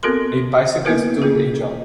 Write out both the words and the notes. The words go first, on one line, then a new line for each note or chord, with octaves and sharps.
A bicyclist doing a jump.
B3 C4 F#4 A4 A#4 C6
A#3 B3 E4 F#4 A#4 B4
A#3 F4 G#4